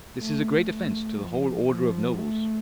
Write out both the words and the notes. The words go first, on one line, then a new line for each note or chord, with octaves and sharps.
This is a great offence to the whole order of nobles.
A3
A3
F3
F3
A3